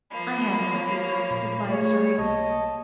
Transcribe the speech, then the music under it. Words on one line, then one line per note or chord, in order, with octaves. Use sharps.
"I have no fear," replied Surrey.
F3 A#3 B5
C#5
A#2
A3 G#4 C#5
B1 A#3 D#5 A5